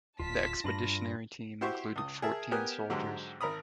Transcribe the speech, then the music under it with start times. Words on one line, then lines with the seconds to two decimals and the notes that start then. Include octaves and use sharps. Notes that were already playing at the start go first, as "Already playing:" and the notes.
The expeditionary team included fourteen soldiers.
0.19 D1 F4 A5 B6
0.64 G2 D4 F4 B5 A#6
1.61 E4 F#4 G4 C5 C6 C#6
1.96 C#2 D#6
2.22 G#4 A#4 E5 A5
2.51 B3 G4 A#4 G#5 D#6 F#6
2.90 G#2 D3 F#3 G#3 G4
3.41 G#1 A#4 A#5 B5 D#6